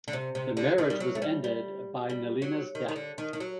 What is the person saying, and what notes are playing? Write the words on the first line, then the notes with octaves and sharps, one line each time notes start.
The marriage was ended by Nelina's death.
D3
C3
C3
D3
D#3
G3
F#3
A3
G3
G3
G3
F#3
D#3
D#3
D3
D#3
D#3
F#3